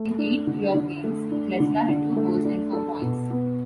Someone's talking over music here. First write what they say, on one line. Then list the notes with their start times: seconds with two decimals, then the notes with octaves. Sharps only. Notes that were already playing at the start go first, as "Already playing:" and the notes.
In eight playoff games, Klesla had two goals and four points.
Already playing: A3
0.18 D4
0.47 D3
0.74 D3
1.04 A3
1.31 D4
1.60 D3
1.89 D3
2.16 A3
2.45 D4
2.73 A4
3.02 B2
3.30 B3